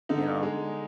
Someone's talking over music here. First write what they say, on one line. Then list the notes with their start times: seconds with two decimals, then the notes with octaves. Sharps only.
you know?
0.09 D3 D#4
0.43 G#3